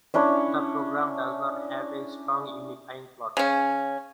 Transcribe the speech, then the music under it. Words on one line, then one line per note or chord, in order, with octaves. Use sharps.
The program does not have a strong unifying plot.
C#4 D4 E4 C#5
C#3 C#4